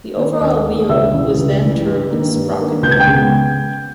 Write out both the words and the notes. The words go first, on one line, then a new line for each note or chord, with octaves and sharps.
The overall wheel was then termed a 'sprocket wheel'.
D#3 A#3
D#2 D#5 D#6
D#3 A#3
C#2 E5 E6
C#3 E3 G3
C#2
C#3 E3 G3
G2
D#3 A#3
G2
D#3 A#3
C#2 G6
G#6
G5 G6
C#3 G#3 B3